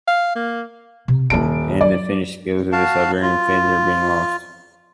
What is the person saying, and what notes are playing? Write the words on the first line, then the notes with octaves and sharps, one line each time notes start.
And the Finnish skills of the Siberian Finns are being lost.
F5
A#3
C3
D#1 D#3 E4 A5 D7
F#3 D5
F#4 F5 A5
F4